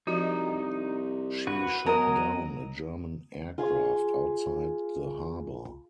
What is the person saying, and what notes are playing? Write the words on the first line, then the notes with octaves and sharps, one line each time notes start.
She shot down a German aircraft outside the harbour.
C2 F3 D#4 F#4 D#5
F#4 B4
F#3 B3 A#4 D#5
F4 G#4 F5